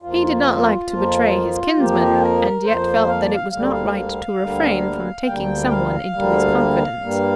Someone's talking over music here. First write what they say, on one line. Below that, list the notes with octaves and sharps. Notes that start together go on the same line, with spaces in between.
He did not like to betray his kinsman, and yet felt that it was not right to refrain from taking someone into his confidence.
F2 F3 A#3 F4
F2 F3 A#3
F2 F3 A#3 G4
A#4
F2 F3 A#3 C5
F5
D5
F5
D2 D3 G3 A#3 F5
D5
F5
D2 D3 G3 A#3
D2 D3 G3 A#3 G5
F5
D2 D3 G3 A#3
G2 G3 A#3